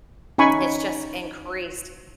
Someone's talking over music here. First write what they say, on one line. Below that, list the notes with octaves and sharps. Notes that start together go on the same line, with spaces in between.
it's just increased.
C#4 D#4 G#5 B5 C#6